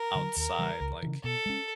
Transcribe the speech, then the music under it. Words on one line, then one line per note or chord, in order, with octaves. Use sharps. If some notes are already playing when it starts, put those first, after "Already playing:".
outside, like,
Already playing: A#4
D3 F#3
D#2 A#4
C#3 E3 G3
C#2
C#3 E3
B2 A4
G#3 C#4